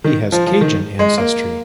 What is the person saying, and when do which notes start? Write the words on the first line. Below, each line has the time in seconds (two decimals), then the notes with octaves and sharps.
He has Cajun ancestry.
0.04 D#3
0.32 F3
0.47 F3
0.61 D#3
0.99 G#3
1.18 A#3